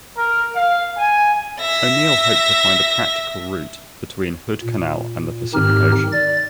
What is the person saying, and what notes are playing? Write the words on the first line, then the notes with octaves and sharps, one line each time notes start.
O'Neil hoped to find a practical route between Hood Canal and the Pacific Ocean.
A#4
F5
G#5
E5 A#6
A#2
G#2 D#3 C4 D#4 G4 F6
D5 A6